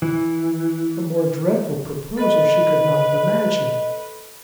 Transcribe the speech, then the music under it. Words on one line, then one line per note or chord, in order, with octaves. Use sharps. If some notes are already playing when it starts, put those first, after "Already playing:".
A more dreadful proposal she could not have imagined.
E3
A4 B4 D#5